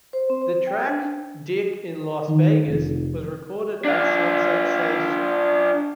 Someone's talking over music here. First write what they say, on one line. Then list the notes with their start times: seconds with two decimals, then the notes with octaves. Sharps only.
The track, "Dick in Las Vegas", was recorded at Sunset Station.
0.13 C5
0.30 C4
0.42 C5
0.67 G5
0.87 D4
2.28 D#3
2.68 F1
3.85 D4 F4